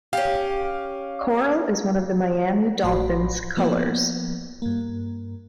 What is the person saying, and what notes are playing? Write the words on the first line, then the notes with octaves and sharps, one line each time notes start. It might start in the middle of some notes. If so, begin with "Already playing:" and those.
Coral is one of the Miami Dolphins' colors.
C#4 G4 F5
A1 F#4 D5 B5 C6
F3 A#3 B3
G2 A#3